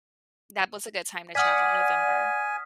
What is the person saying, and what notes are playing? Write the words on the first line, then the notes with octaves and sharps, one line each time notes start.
That was a good time to travel, November.
D5 F#5 G#5 D#6 F6 B6